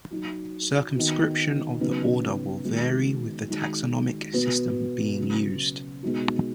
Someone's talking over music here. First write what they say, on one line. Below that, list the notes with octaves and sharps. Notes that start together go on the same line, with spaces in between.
Circumscription of the order will vary with the taxonomic system being used.
F#3 D#4 F#4
D#3 B3 F#4
C#3 F#3 B3 D#4
D#3 G#3 B3 F#4
D#3 G#3 D#4 F#4
B2 B3 F#4
C#3 F#3 B3
B2 G#3 D#4 F#4